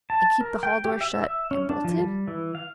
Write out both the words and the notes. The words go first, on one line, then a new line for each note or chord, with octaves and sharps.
'And keep the hall door shut and bolted?'
A5
A#4
G5
G4
E5
E5
C#4
D4
F3
G3
E3
F5